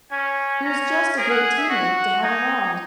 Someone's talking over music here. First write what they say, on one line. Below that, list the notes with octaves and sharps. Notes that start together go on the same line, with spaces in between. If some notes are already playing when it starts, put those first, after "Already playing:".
He was just a great teammate to have around.
C#4 G#5
G#5
C#4 A#5
G#5
G#4 A#4
F#5
G#5
E5
F#4 F#5
F#5
D#4 G#5
G#5
G#5
G#5